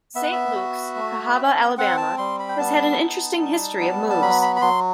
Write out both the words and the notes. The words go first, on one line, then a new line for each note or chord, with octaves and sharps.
Saint Luke's, Cahaba, Alabama, has had an interesting history of moves.
B3 E5
F#5
E5
F#4
A3
C4
C4 F#5
A5
G3 C6
B5
G5
B3 A5
D#4
G3
B3
A5
F#3 B5
B5
B5
F#3 C6